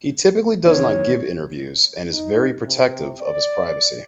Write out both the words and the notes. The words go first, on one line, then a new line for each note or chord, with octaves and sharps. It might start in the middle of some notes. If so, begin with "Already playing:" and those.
He typically does not give interviews and is very protective of his privacy.
D#3 E3 B3 C#5
D#4
C3
D5